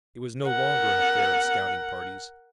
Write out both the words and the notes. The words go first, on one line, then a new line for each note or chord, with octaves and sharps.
It was no longer an affair of scouting parties.
A#4 F#5